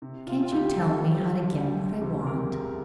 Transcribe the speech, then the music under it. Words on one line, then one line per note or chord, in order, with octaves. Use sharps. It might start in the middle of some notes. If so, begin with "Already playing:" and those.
"Can't you tell me how to get what I want?"
C3
C3 F4
F4
D2 G4
D2 A4
G3
G3
D2
C3
C3
E1 A#4
E1